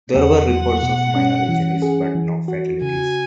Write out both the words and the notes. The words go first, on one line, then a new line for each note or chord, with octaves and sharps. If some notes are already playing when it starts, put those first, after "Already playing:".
There were reports of minor injuries but no fatalities.
E2 F#5
F#3
B2
C#4
E3
G#4
E3
F#4
C#3 G#5